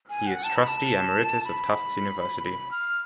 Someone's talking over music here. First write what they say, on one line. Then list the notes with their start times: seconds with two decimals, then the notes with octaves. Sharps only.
He is Trustee Emeritus of Tufts University.
0.10 G#5
0.27 F#5
0.44 A5
0.56 B5
0.68 A5
1.45 B5
2.46 B5
2.71 F6